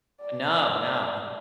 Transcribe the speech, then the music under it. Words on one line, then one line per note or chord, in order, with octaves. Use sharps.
No, no.
D5